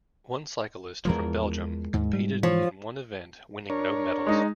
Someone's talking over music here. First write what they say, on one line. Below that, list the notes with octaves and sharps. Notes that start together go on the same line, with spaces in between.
One cyclist from Belgium competed in one event, winning no medals.
E2 E3 F3 G#3 A#4
D#2 G#2
G3
E3 F3 C#5
D4 A#4 C#5
G#3 D#4